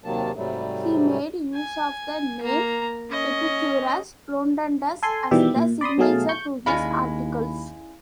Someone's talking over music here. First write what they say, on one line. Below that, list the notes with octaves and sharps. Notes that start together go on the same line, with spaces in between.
He made use of the name "Epicurus Rotundus" as the signature to his articles.
D#2 C3 D#3 F#3 A#3 A5
G#2 C3 F#3 G3 A3
G#5
A#3 A#5
C#4 D#5
A4 G#5 C6
B2 D#3 E3 G3 G4 E5
A#2
D5 B5 C6 D#6
B2 F#3 A3 G#4 F5 A5
C#6 G6
D#2 G#3 C#4 E4 F5 G#5 B5